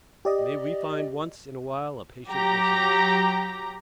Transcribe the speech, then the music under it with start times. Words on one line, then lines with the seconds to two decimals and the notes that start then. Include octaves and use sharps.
May we find once in a while a patient listener.
0.25 G4 D5 D#5
2.27 F#3 G4 A#5